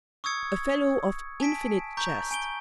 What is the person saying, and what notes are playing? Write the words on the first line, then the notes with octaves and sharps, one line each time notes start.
A fellow of infinite chest.
C#6 D#6 E6 G#6 C#7
G#5 A5 B6 D7
A#5 C#6 G6
G#5 D7 G7